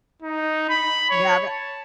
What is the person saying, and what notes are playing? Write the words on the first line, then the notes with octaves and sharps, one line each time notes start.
You haven't?
D#4
B5
C#5
A5